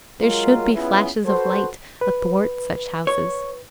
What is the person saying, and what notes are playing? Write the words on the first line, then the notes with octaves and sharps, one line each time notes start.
There should be flashes of light athwart such houses.
F#3 G#3 F4 A#4
B3 C#4 E4 F4 G#4 B4
F#4 A4 B4 C5
B4
C#5